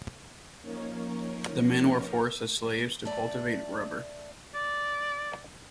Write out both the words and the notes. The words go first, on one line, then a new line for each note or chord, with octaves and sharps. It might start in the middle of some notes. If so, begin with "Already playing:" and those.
The men were forced as slaves to cultivate rubber.
F3 A#3 C#4 D#4 A#4 C#5
A3 D5
D5